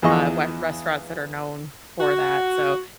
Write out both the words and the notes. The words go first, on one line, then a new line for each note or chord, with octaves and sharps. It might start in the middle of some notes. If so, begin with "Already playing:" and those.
uh, we restaurants that are known for that, so
E2 E3 F3 G#4 D#5 C#6
F#4